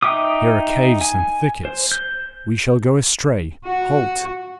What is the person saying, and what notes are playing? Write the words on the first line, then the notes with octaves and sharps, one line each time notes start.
Here are caves and thickets: we shall go astray!--Halt!
D#4 E5 G5 D6 D#6
G#5
C5
G6
F#4